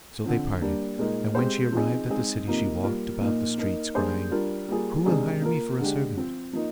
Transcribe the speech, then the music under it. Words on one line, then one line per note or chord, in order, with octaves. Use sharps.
So they parted, and when she arrived at the city she walked about the streets crying, 'Who will hire me for a servant?
D3 F3 C4
G3 A#3 D4
A#2 G#3 D#4 A#4
G#3 C4 G4 C5
F3 C4 D#4 G#4
G#3 C4 D#4 G#4
C3 F3 A#3 D#4 A#4
G3 A#3 F4 A#4
A#2 F3 A#3 D#4 A#4
A#3 D#4 A#4
G3 A#3 D4 G#4 C5
G3 D4 F4 A#4
G3 A#3 F4 G#4
C3 D#3 G#3 D4 G#4
A#3 F4 A#4
D3 G#3 D4 G4
F3 C4 F4
F3 A#3 D#4